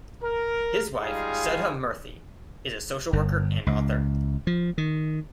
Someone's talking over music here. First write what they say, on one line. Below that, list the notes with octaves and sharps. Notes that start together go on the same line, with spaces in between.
His wife, Sudha Murthy, is a social worker and author.
A#4
G3 G#3 D#4 F4 G#4 F5
G1
C#2
F3
D#3